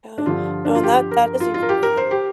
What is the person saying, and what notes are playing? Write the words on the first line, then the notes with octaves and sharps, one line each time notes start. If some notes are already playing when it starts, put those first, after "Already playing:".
Yeah. No, and that that is even harder.
D4
G2 D3 F3 F4
D4
F4
G4
A#4
F4
F4
A#4
G4
A#4
C5
G4